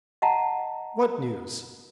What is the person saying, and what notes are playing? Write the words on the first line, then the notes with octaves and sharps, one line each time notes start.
"What news?"
D#5 F#5 A5 A#5